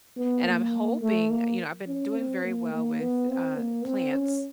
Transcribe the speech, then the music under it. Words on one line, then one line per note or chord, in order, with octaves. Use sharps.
and I'm hoping you know, I've been doing very well with, uh, plants,
B3
A#3
A3
A#3
C#4
C4
A#3
A#3
B3
C4
A#3
C4
C#4